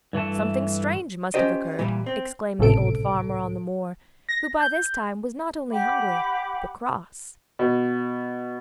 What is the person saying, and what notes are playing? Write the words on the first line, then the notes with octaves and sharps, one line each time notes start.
'Something strange must have occurred,' exclaimed the old farmer on the moor, who by this time was not only hungry, but cross.
G2 E3 A3 A5
C#4 D4 F4 G4 C5 D#5
A#2 E3 G3
C4
G#1 C#2 A2 C3 A4 D7
A#6
G6
G4 F#5 B5 D6
B2